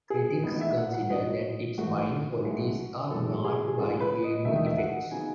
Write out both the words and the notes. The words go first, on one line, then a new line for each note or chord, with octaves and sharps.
Critics consider that its fine qualities are marred by leaden effects.
G#4
A1 A2 G#3 B3 D#4 D#5
D#5
E5
F#5
F#5
C#2 B2 F#3 D#5
A1 G#2 F#3 A3 F#4
B1 A2 G#3
F#2 E3 G#3 D#4 A4
F#4
G#4
G#4
C#2 C#3 G#3 C#4 A4
B4
D#5
E1 D#2 D#3 A3 E5
D#5
E5
F#5
C#3 F#3 B3 D#4 G#5